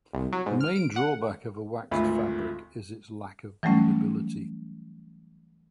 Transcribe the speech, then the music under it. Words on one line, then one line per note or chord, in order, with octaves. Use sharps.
The main drawback of a waxed fabric is its lack of breathability.
C2
F#3
G#2
F6
D7
F#5
G#1 D2 F4 E5 B5
E3 F#3 G3 A3 C#4